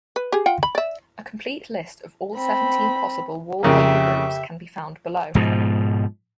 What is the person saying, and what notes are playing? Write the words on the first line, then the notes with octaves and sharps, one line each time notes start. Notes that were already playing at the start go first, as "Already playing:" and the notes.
A complete list of all seventeen possible wallpaper groups can be found below.
B4
G4 G#4
F4 F#5 G5
B5
D5 E5
C4 B5
F2 C#3 A#3 G4 E5
G#2 B2 F3